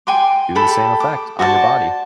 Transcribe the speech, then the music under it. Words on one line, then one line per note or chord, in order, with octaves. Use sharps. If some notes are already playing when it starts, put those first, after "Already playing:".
do the same effect on your body.
G5 G#5 C6 D6
G4 A4 B5
D6
F#4 C5 D5 A5